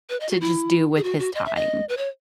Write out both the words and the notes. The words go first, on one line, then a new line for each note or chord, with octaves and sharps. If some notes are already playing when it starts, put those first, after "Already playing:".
to just do with his time.
B4
D#5
F#4
E4
G#4
F#4
F#4
D#5
E5
D#5
B4
C#5